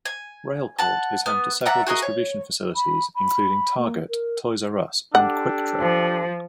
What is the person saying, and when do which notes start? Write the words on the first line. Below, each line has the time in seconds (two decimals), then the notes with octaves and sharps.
Railport is home to several distribution facilities including Target, Toys "R" Us, and QuikTrip.
0.05 G#5
0.79 F#5 A5
1.26 B3 F6
1.66 D5 E5 F#5 A#5
1.87 F#4 G#4 A#4 D#5
2.02 C#5
2.75 B5
3.15 B5
3.78 A#3
4.09 A#4
5.15 D4 G4 A4 F#5
5.79 F3